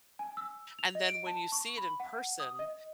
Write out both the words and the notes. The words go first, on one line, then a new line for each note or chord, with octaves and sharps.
And then when you see it in person,
G#5
E6
F7
D#5
D7
A5
C#6
B5
F#5
D#6
D#5